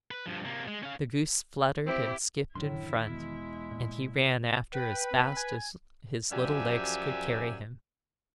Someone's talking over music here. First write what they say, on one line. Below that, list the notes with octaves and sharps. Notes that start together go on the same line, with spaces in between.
The goose fluttered and skipped in front, and he ran after as fast as his little legs could carry him.
B4
G2 F3
C3 A#3
G#3
C#4 F5
C4 E4 G4
F#2 A2 D3 D#3 E4 C6
E2 B2 G#3
A#2
B4 G5
C4
G#5
F#2 F3 G4 D5 E5 G#5